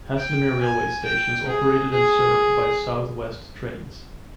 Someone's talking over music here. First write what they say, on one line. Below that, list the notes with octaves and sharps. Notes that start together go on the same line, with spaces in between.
Haslemere railway station is operated and served by South West Trains.
G5
G#5
G5
G#4
G#4